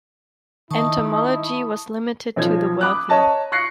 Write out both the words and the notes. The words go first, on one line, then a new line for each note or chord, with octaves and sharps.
Entomology was limited to the wealthy.
D#3 D#4 E4 A5 C#6 D#6
B1 F3 G#6
B5 D6 D#6 F#6
C#5 D#5 A5 A#5
C#6 F#6 A#6 C7 C#7